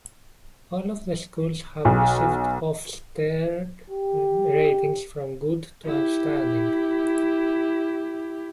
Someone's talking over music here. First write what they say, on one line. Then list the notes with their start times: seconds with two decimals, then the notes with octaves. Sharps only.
All of the schools have received Ofsted ratings from "good" to "outstanding".
1.85 B1
3.90 G4
5.85 E4 G4